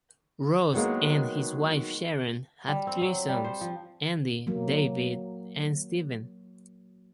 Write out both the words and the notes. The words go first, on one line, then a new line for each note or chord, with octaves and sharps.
Ross and his wife, Sharon, have three sons: Andy, David, and Steven.
D#3 F#3 G#3 A#3 B3
G3
C4
F#3
G3
C5
F3
F#3 A#3